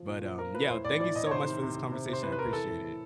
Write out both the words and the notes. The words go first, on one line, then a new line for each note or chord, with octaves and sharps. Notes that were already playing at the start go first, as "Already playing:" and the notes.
but um, yeah, thank you so much for this conversation, I appreciate it.
Already playing: F3
A#2
F3
F3 A#4
F3 B4
A2 C5
A2 D5
E3 D5
A2 D#5
C#5
C3 C5
D#3
C3
D#3
C3
C3
C5
E3 B4
B4
E3 A#4
E3 A4
A2
E3